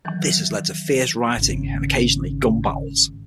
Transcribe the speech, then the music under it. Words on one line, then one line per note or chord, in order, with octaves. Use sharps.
This has led to fierce rioting and, occasionally, gun battles.
D#3 E3 F#3
G#1 C#3